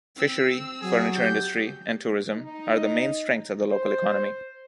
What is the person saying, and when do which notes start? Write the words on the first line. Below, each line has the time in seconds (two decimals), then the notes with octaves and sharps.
Fishery, furniture industry and tourism are the main strengths of the local economy.
0.16 C4 E6
0.82 F#3 G#4
1.16 G4 G6
2.34 D#4
3.69 C5